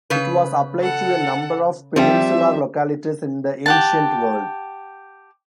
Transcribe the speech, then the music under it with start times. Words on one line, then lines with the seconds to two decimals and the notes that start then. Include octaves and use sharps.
It was applied to a number of peninsular localities in the ancient world.
0.10 C#3 B4
0.80 A4 F#5
1.96 F3 G3 C4 E5 G5
3.66 G4 F#5 A5